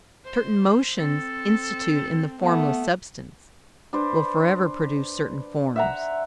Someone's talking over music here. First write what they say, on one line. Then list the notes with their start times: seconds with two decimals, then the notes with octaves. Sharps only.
Certain motions instituted in the Formless Substance will forever produce certain forms.
0.25 C5
0.98 C4 A4
2.42 A3 B3
3.93 D4 B4 C5
5.76 E5 F#5 A#5